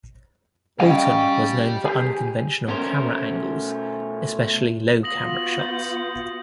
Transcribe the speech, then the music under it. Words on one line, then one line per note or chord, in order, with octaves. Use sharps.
Alton was known for unconventional camera angles-especially low camera shots.
G3 C#4 G4 D#5 F5
G4 G#4
B2 A3 C#4 A#4 C5
B3 F4 F#4 D#6 A#6 F#7
G6 F#7